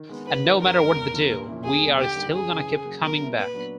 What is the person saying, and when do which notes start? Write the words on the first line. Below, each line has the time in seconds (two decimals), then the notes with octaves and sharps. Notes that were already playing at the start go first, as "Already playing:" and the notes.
And no matter what they do, we're still gonna keep coming back.
Already playing: D#3
0.09 G#3 B3
0.26 D3 B4
0.44 F3 A#3 D#4
0.61 F#2 A#4
0.78 D#3 G#3
0.95 E2
1.13 C#3 F3
1.31 A#2
1.48 F3 A#3 C#4 E4
1.64 E2 G#4
1.82 B2 G3
1.98 D3 G4
2.16 G3 A#3 D#4
2.34 F#2 G#4
2.50 C#3 E3
2.68 C#3
2.85 F#3 A#3
3.03 B2 A#4
3.20 G3 C4 E4
3.37 A#2 B4
3.54 F#3 B3 D4